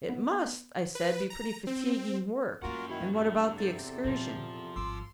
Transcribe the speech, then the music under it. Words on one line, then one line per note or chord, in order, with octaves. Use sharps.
"It must," I said, "be pretty fatiguing work, and what about the Excursion?"
B3
B4
A#5
C4
G#3 A#3 C#4 F4 F#4 A#4 F#5
D#3 E4 F#4
E2 G2 C3
C4 A4 A6
A#2 F3 D#4
G#1 G2 C6 D6 E6